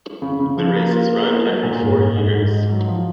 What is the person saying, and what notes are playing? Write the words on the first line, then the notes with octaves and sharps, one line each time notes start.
The race is run every four years.
C#3
C#3
F3
A#3
F4
A#3
B3
F#3
A#2
G#2
G#2
G#2
G#2
D#4
F#3
F3